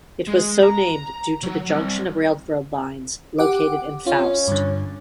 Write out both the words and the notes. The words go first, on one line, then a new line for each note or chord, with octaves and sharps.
It was so named due to the junction of railroad lines located in Faust.
G#3
A#5
F#3
C2
G4 F#5 D6
C#4 F4
G2 D3